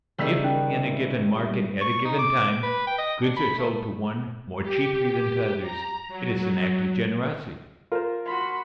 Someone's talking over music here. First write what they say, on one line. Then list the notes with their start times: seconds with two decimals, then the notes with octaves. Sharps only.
If, in a given market at a given time, goods are sold to one more cheaply than to others, it is an act of generosity.
0.18 F#1 D#3 G3 E6 B6
0.44 C#4
1.35 G3 E5
1.81 C#6
2.05 D#4
2.19 D6
2.63 B4
2.87 G5
2.98 D#5
3.22 D4
3.36 B5
3.58 A3
4.63 G4
5.62 A#5
6.09 F#3
7.92 F4 A#4 C5
8.26 F#4 B5 C6